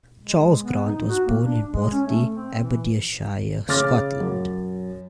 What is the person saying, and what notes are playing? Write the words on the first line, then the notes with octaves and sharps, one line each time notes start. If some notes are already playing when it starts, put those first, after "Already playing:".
Charles Grant was born in Bourtie, Aberdeenshire, Scotland.
G#3
B3
D#4
F#4
A#3
D4
G#3
C#4
A3
C4
E3
C#3 D6 F6 A6
F#2